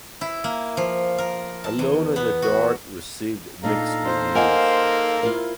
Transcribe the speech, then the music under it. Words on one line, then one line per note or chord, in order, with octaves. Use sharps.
"Alone in the Dark" received mixed reviews.
E4
A#3
F3
A#4
A5
E2
B3
F#4
A#2 D4 D#4 A4 F5 A#5
C5
A#3 D#4 F#5 G#5
E4 F4 A#4